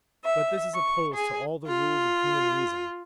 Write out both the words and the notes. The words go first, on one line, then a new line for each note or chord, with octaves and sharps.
But this is opposed to all the rules of human reason.
E5
C#6
G#4
F4